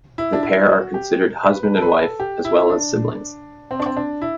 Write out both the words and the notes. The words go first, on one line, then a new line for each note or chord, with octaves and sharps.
The pair are considered husband and wife as well as siblings.
E4
D4
E4
F#4
G4
B4
B4
A4
B4
A4
G4
E4
D4
C4
D4
C4
D4
E4